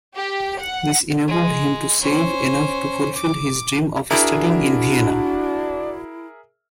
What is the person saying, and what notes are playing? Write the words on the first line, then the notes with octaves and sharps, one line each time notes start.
This enabled him to save enough to fulfill his dream of studying in Vienna.
G4
F#5
G#3
C#4 C5
D6
D4 E4 F#4 G#4 A#4 E5